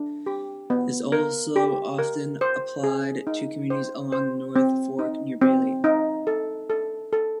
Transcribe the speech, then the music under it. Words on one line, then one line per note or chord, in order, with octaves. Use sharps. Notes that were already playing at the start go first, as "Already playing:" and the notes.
It also is often applied to the communities along the North Fork near Bailey.
Already playing: D4
G4
B3
A#4
G4
A#4
C5
G#4
D#4
C5
C5
C4
D#4
C4
D#4
A4
A4
A4